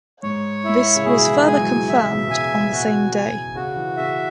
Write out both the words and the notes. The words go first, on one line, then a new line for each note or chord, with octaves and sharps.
This was further confirmed on the same day.
G#2 C#5
E4
C#3
B2 G#4
E3
G#3 G#5
F#3
E3
E3 E5
C#3
B2
C#3 G#5
B2 F#4
G#5
C#3 F#4
E3
C#3 E5